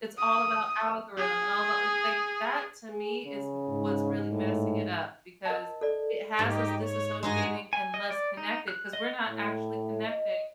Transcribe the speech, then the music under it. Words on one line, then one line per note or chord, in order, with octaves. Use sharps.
It's all about algorithm and all about, like like, that to me is m what's really messing it up because it has us disassociating and less connected 'cause we're not actually connecting
D#6
G#4
G#4
C#3
G#2
A2
A#4 D#5 A5
A4 D5
G#2 D#4 G4
C#5
G2 G#3 D#4 F#4 G#5 A#6
G#5
D#5
D5
D#4
F#6
D#5
A2
D#5